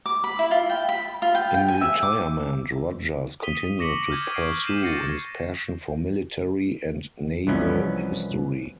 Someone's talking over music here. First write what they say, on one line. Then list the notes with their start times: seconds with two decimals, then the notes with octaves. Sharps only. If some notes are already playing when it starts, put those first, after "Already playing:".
In retirement, Rodgers continued to pursue his passion for military and naval history.
0.06 D6
0.24 B5
0.39 E4
0.51 F4
0.69 G5
0.89 B5
1.22 F4
1.35 G5
1.55 G5
1.68 G#5
1.81 E5
2.03 D6
3.43 D#6 B6 D#7 G7
3.79 C#6 D6 A#6 B6 C#7 F#7
4.10 F6 G6 G#6 G7
4.34 C#6 A#6 C7 D7
4.65 G6 B6 C7 D#7 E7
4.82 G6 A6 A#6 C7 C#7 E7
7.47 C2 E3 F3 B3 C#4 D#5